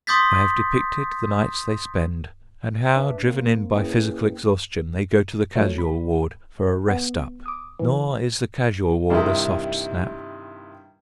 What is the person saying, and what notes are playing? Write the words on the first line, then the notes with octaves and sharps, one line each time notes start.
I have depicted the nights they spend, and how, driven in by physical exhaustion, they go to the casual ward for a "rest up." Nor is the casual ward a soft snap.
C6 D6 D#6 G6 A6 B6
D4 B4 D5 E5
A#3 C4
A#3 C#4 E4 G#4 B4 G5
F3 F#3 A3
B5
B3
D6 D#6
E3
G2 C3 D#3 D#4 E4